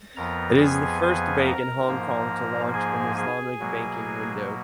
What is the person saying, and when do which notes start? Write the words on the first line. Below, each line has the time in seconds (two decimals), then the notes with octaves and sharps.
It is the first bank in Hong Kong to launch an Islamic banking window.
0.16 F2 F3 B3 A#4 A#5
0.60 G#4 G#5
1.02 G#4 G#5
1.45 A#4 A#5
1.88 G#2 F3 A#3
2.74 G#4 G#5
3.16 G#4 G#5
3.59 B2 F#3 A#3